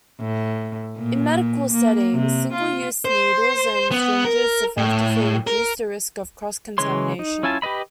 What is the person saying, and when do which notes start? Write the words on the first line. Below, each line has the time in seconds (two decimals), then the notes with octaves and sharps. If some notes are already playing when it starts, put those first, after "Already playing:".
In medical settings, single-use needles and syringes effectively reduce the risk of cross-contamination.
0.20 A2
0.98 A#2
1.73 A#3
2.12 C3
2.53 F4
3.05 C5
3.91 B3
4.25 A#4
4.77 A2
5.47 A#4
6.78 C#3 E3 G#3 C#5 C6
7.19 D#4
7.43 C#4 E4 F4 G#5 A5
7.62 G4 B4 D#5 B5